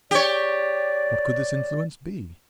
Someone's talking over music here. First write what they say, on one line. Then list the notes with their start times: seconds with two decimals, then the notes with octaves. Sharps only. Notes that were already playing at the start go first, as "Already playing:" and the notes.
What could this influence be?
0.11 G4 C#5 D5